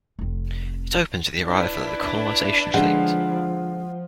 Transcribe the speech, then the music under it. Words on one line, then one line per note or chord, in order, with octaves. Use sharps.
It opens with the arrival of the colonization fleet.
F1 C4
D4 E4 B4
D3 F3 G#3 F#5